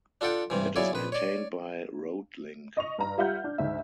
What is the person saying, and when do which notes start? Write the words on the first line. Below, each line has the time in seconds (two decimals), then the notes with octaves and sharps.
It is maintained by RoadLink.
0.21 D4 F4 A4 F#5 G5
0.50 G2 C3 E3
0.76 C#3 F#3 E4 C#5 D5
0.93 A#1 B4
1.12 C#5 D5
2.77 D#5 C#6 F7
2.98 G2 A#5
3.18 G3 F4 E5 F#5 F6 G6
3.44 D4
3.58 D2 G#2 E5